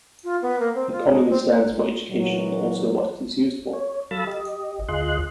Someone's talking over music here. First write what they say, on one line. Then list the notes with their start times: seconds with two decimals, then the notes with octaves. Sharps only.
It commonly stands for education, also what it is used for.
0.24 F4
0.42 B3
0.60 A#3
0.75 C4
0.92 F4
1.09 G#3
1.29 C4
2.10 A#2 E3 F#3
3.73 C#5
4.11 F#3 A4 F5 B5 E6 A6
4.27 G4 D#5
4.88 D2 F4 G#4 D#5 C6 F#6